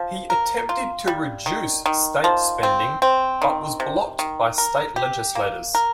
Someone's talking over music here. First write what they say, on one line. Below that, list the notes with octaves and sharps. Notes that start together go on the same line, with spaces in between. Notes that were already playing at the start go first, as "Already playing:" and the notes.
He attempted to reduce state spending but was blocked by state legislators.
Already playing: F3
A#4
F4
G3
D#3
D#3
F3
C4
C4
D#3
C3
D#3
A#4
G4
A#3
A#4